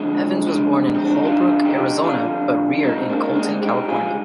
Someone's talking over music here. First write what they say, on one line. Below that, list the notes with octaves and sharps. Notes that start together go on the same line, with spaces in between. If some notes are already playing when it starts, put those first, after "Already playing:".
Evans was born in Holbrook, Arizona, but reared in Colton, California.
Already playing: F2 D3 G#3
F2 D3 G3
C4
D4
D#4
F2 D3 G3 D4 F4
D#4 G4
F2 D3 G3 D4 F4
G#2 G3 C4 D#4
A#3 D4
D#4
D4
G#3 C4
G#2 G3 D#4 G4
F4 G#4